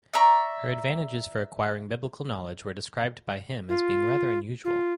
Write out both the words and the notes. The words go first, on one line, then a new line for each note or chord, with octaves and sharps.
Her advantages for acquiring biblical knowledge were described by him as being rather unusual.
D5 E5 A#5 C#6
F4
F4